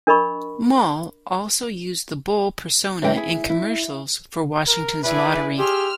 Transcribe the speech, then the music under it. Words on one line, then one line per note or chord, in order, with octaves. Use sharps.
Moll also used the Bull persona in commercials for Washington's Lottery.
D4 A#4 D#5 B5 C#6
F#2 E3 G#3 G5
E4 G#4
E4
A#4
E4 G#4 B4 D5 E5
G4 G#4 C6 E6 F6